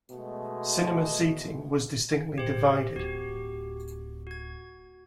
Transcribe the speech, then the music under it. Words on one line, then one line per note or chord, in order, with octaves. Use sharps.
Cinema seating was distinctly divided.
B2 G#3 A3
A2 C#4 G4 C5
D1 F#4 G4
F#4 G#6